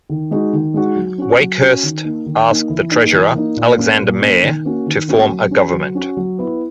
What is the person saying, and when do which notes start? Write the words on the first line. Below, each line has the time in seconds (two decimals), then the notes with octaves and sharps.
Wakehurst asked the Treasurer, Alexander Mair, to form a government.
0.09 D#3
0.31 G#3 D#4 F#4
0.53 D#3
0.74 G#3 D#4 F#4
0.96 F#3
1.18 C#4 F#4
1.40 F#3
1.61 C#4 F#4
1.83 D#3
2.04 A#3 D#4
2.26 D#3
2.48 A#3 D#4
2.70 E3
2.91 A#3 D#4
3.12 E3
3.35 A#3 D#4
3.57 A#2
3.78 A#3 C#4
3.99 A#2
4.21 A#3 C#4
4.43 D#3
4.65 A#3 C#4 F#4
4.86 D#3
5.08 A#3 C#4 F#4
5.29 F#3
5.51 C#4 F#4
5.73 F#3
5.95 C#4 F#4
6.17 F#3
6.38 B3 E4